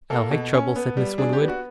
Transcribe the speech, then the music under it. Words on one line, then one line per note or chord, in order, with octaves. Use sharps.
"I like trouble," said Miss Winwood.
A#3 A4
B2
C#4
B3
G3
D4 G#4
G4
B3
F#4